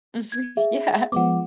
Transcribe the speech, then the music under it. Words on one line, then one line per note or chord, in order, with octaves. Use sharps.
Mhm. Yeah.
G#6
G#4 E5 F5
F3 G#3 B3 F#5 D6